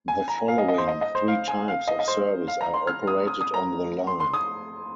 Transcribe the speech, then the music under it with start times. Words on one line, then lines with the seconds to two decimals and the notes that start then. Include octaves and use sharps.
The following three types of service are operated on the line.
0.08 G#5
0.28 A#5
0.48 F5
0.58 D#5
0.68 D#5
0.78 C5
0.88 D#5
1.01 D#5
1.15 C5
1.28 F5
1.48 G#5
1.68 F5
1.88 D#5
1.99 D#5
2.08 C5
2.48 F5
2.61 A#5
2.74 C6
2.87 F6
3.07 D#6
3.27 D#6
3.41 D#6
3.54 A#5
4.07 C6
4.20 C6
4.34 D#6